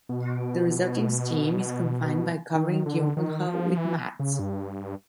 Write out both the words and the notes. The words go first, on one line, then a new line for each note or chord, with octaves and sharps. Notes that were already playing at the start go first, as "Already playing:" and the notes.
The resulting steam is confined by covering the open hull with mats.
B2
D#3
D3
D#3
F3
E3
C#3
G2